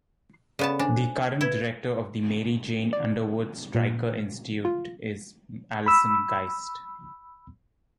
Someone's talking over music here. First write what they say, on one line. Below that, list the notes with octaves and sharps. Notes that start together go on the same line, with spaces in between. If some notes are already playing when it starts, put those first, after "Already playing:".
The current director of the Mary Jane Underwood Stryker Institute is Alison Geist.
C#3 B3 D5 A5 B5
D4 C5 G#5
E4 B4 G#6 G7
D5
A#2
F4
B5 E6